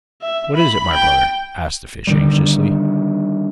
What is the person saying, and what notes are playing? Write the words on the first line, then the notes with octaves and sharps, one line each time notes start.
'What is it, my brother?' asked the fish anxiously.
E5
B5
G5
D3 D#3 G3